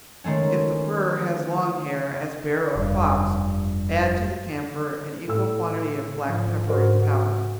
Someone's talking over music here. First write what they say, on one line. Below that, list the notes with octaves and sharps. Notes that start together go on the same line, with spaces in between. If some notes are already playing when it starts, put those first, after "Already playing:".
If the fur has long hair, as bear or fox, add to the camphor an equal quantity of black pepper in powder.
D#3 G#3 A3 C#4
F1 G2
A2 E6
G#2 F3
G#2 F#4 A#4 C5
F#4